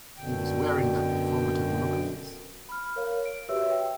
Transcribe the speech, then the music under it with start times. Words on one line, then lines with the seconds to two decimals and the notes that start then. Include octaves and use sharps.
He was wearing that informative look of his.
0.18 F#2 B2 D3 G5
2.69 B5 F6
2.96 A#4 C#5 F5
3.25 D7
3.49 F#4 G4 B4 C#5 E5 E6
3.71 G5